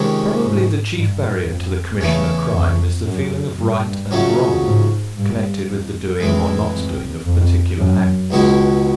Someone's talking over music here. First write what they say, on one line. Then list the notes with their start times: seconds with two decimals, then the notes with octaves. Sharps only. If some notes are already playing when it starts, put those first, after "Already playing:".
Probably the chief barrier to the commission of crime is the feeling of right and wrong connected with the doing or not doing of particular acts.
Already playing: F2 C3 D#3 G#3 C#4
0.44 G#2
0.96 G2
1.49 F2
2.01 E2 C#3 E3 A3 C#4
2.54 F2
3.06 F#2
3.58 G2
4.11 F2 C#3 F#3 A3 C#4
4.63 G#2
5.16 G2
5.69 F2
6.20 F2 A2 E3 G#3
6.73 F2
7.26 F2
7.79 F#2
8.30 C#2 B2 G#3 C#4 E4